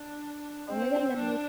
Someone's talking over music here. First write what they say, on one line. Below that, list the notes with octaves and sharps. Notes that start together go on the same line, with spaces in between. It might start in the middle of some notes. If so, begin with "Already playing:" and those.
oh my goodness,
Already playing: D4
C4
D4